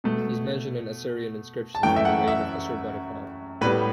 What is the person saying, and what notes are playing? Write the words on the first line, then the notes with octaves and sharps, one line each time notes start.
He is mentioned in Assyrian inscriptions from the reign of Assurbanipal.
B2 A3
A5
F#2 E3 A3 G5
E5
F#5
E5
A2 G3 B3 B4